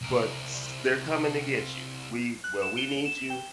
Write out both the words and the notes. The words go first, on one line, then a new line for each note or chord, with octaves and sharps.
but s they're coming to get you, "We well, we need you
C2 A#4
F#6
E7
G7
E7
G5